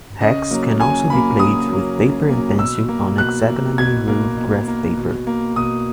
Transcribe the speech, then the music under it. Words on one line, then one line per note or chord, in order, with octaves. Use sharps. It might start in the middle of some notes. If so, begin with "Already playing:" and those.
Hex can also be played with paper and pencil on hexagonally ruled graph paper.
C#3 D#5
F#3 A#3
C#3 G#5
F#3 A#3 B5
C#3 D#6
F#3 A#3
C#3
F#3 A#3
B2 E6
A#3
B2 F#6
A#3
B2 G#6
A#3
B2
A#3
B2
A#3
B2 D#6